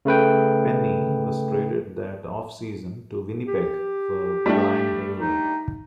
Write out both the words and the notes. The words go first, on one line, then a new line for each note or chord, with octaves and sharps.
Penney was traded that offseason to Winnipeg for Brian Hayward.
C#3 A3 B4 G5
G4
G3 A3 D4
D#4